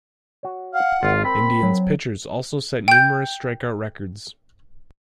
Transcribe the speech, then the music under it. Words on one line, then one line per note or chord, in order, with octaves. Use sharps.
Indians' pitchers also set numerous strikeout records.
F#4 C#5
F5 F#5
G#1 F4
C4 A#4 B5
F#3
G5 G6